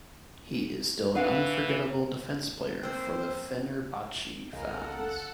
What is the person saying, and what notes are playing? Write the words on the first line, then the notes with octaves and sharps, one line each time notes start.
He is still an unforgettable defence player for Fenerbahce Fans.
E3 D4 B4 F5 F#5
A#3 C4 C5 G5 E6
C#2 C#3 G#3 A4 A#4 F5 F#5